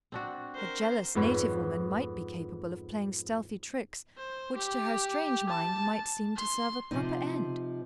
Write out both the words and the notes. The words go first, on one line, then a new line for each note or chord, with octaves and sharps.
A jealous native woman might be capable of playing stealthy tricks, which, to her strange mind, might seem to serve a proper end.
C4 D4 F#4
A#4 C5
F2 G#2 B3 B4 C#5
C5
G4
A5
C6
C3 F3 C4 D#4